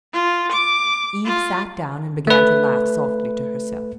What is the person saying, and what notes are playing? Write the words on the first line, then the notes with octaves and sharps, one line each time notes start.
Eve sat down and began to laugh softly to herself.
F4
D6
F4
A3 B4